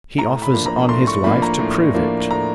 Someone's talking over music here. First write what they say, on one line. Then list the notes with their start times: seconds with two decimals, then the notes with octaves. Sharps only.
"He offers on his life to prove it."
0.18 A2 A#5
0.42 B5
0.54 F3 A#3 D4
0.66 A#5
0.89 A2 C6
1.07 C#6
1.24 F3 A#3 D4 B5
1.42 A#5
1.59 A2
1.95 F3 A#3 D4
2.31 A2 A#5